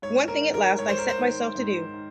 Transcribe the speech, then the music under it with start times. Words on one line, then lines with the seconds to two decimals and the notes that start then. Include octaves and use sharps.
One thing at last I set myself to do.
0.02 G#2 C#5
0.28 A#4
0.41 D#3
0.54 A#4
0.78 G#2 C#5
0.89 C5
0.98 A#4
1.09 C5
1.18 D#3
1.55 G#2
1.94 D#3